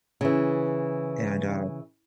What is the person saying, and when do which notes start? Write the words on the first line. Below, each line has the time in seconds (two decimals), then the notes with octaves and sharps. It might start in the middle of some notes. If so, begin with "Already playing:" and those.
and, uh,
0.21 C#3 E3